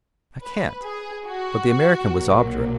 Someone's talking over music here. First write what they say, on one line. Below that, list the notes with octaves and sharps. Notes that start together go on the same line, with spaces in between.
I can't!' But the American was obdurate.
B4
G#4
F#4
B1 A#2 F#3 A#3